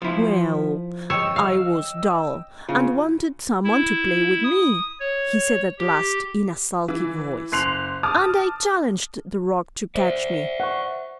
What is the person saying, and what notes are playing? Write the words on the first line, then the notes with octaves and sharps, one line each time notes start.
'Well, I was dull, and wanted someone to play with me,' he said at last, in sulky voice, 'and I challenged the rock to catch me.
F3 E4
C#5 D#5 G5 E6
F5
C#3 F4
E4
D#6
C#5
G4
E3
F#1 C6 F#6 C7 F7
A5 D6 D#6 F6
C5 D5 E5
F#5 C#6